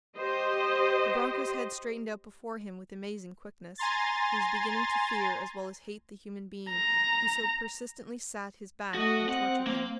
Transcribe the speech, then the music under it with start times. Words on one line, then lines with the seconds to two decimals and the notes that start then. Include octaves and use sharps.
The broncho's head straightened out before him with amazing quickness. He was beginning to fear as well as hate the human being who so persistently sat his back and tortured him.
0.18 G4 C5 D#5
3.78 G#5 A#5 C6 A6
6.69 A#5
8.94 A3 F#4 D#5
9.29 C4 F#5
9.67 A#3